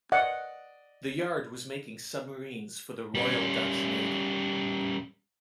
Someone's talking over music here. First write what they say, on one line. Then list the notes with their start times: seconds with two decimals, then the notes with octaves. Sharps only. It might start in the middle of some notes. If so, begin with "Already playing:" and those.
The yard was making submarines for the Royal Dutch Navy.
0.12 D5 D#5 F#5
3.15 G3 C#4